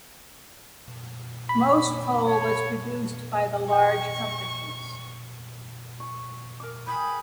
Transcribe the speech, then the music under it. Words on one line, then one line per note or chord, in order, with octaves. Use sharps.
Most coal was produced by the large companies.
B5
C#5
G5 C#6
C#6
A#4 D6
G#4 G5 B5